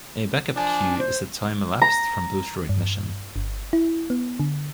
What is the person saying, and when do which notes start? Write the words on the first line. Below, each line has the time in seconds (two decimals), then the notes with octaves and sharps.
A backup cue is the time elapsed from booster ignition.
0.57 F3 D4 G#5
0.99 C5
1.82 A#5
2.69 G2
3.36 G1
3.73 E4
4.10 B3
4.40 D3